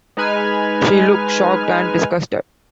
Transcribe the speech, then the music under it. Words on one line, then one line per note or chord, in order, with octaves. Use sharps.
She looks shocked and disgusted.
G#3 D#4 B4 G#5 F6